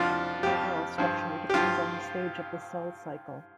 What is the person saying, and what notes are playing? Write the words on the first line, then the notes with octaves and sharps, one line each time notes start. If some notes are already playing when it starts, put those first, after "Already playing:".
The overall structure depends on the stage of the cell cycle.
Already playing: F2 F3 D4 F4
F2 F3 G4
G2 F3
G4
G2 F3 F4